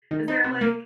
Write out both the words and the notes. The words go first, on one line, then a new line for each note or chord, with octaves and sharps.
is there, like,
D#3
D#4
C3
A#3